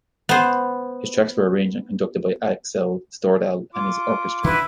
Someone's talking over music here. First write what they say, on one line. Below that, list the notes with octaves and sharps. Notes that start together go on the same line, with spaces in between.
The tracks were arranged and conducted by Axel Stordahl and his orchestra.
B3 C5
F4 D6
D3 D4 E4 B4